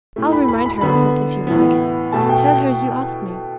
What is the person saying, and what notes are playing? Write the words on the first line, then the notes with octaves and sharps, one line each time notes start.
I'll remind her of it if you like--tell her you asked me.
A2 A3
B5
B5
B5
D3 B3 B5
A2 E3 B3
B2 A3 A5
G5
G5